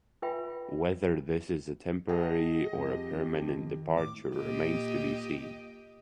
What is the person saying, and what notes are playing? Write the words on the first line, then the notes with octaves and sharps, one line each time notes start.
Whether this is a temporary or permanent departure remains to be seen.
F4 B4 E5 G5 G#5 B5
G#4 D#5 F#5 G5 A5
F2 G4
D#3
A2 D6
A#2 G4 D#5